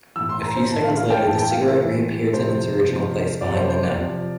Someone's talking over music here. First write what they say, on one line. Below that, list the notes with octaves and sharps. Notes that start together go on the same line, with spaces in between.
A few seconds later the cigarette re-appears in its original place, behind the nut.
A2 E3 E6
C6
A#5
C5
A2 E3 A5
F5
F5
G5
A2 E3 A5
G5
F5
E5
A2 E3
C3 F3 C5
C3 F3
C3 F3 D5
C5
C5
D5
C3 F3